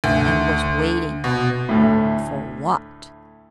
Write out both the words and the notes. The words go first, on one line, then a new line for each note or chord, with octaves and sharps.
And was waiting--for what?
D2
B2
D2 A2